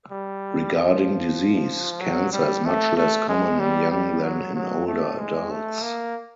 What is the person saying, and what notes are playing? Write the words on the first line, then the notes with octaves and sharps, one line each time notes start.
Regarding disease, cancer is much less common in young than in older adults.
G3
F3
F#3
G3
A3
A3
G#3
G3
G3
F#3
F#3
A3
G#3
A3
A#3